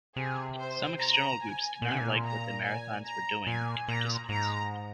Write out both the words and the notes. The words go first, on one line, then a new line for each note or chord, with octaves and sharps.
Some external groups did not like what the marathons were doing to participants.
C3 G#4
C5
A#5
G#5
A#2 G#5
C3
A#2
A#5
G#5
A#5
A#2 G#5
A#2 A#5
G#2 A#5